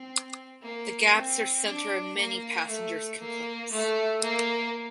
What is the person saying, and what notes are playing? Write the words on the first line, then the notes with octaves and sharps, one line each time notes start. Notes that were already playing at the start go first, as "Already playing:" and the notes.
The gaps are center of many passengers complaints.
Already playing: C4
A#3
C4
D4
A#3
A3
A#3
A3
A#3